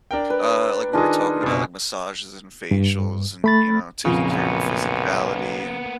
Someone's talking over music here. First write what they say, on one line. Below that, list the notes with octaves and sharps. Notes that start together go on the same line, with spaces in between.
uh, like we were talking about, like, massages and facials and, you know, taking care of your physicality and
D4 A#4 G5
B4
D#3 D4 D#4 F4 G#4
F#1 B2
G2
A3 B5 A6
B1 F2 A#2 C#3 F3 A#3 B3